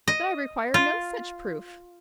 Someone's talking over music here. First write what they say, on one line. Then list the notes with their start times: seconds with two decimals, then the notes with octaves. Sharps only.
But I require no such proof.
0.08 D#5
0.74 F4